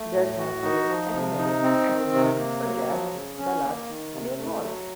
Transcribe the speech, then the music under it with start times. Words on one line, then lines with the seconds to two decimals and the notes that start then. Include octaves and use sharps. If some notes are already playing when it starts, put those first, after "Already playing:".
There's hardcore, heavy metal, acid rock, some jazz, ballads and even a waltz.
Already playing: A3
0.14 A2
0.38 F#4
0.63 D#4
0.89 F3
1.14 C3
1.38 D#4
1.63 C4
1.88 D#3
2.14 C3
2.38 A#3
2.64 F#3
2.89 F3
3.13 C#3
3.38 C#4
3.64 A#3
3.88 D#3
4.13 C3
4.38 A3
4.64 F#3